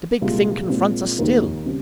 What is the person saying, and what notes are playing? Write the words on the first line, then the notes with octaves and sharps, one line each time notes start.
The big thing confronts us still.
C2 A#2 G#3 C4 F4
A#2 G#3 C4
D#2 D#3 A#3
C#3 G3 C4